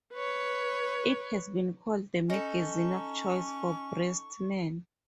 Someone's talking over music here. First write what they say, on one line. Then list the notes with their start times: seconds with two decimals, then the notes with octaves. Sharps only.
It has been called "the magazine of choice for breast men".
0.14 B4 C#5
2.30 C#4 D#4 A4 C#6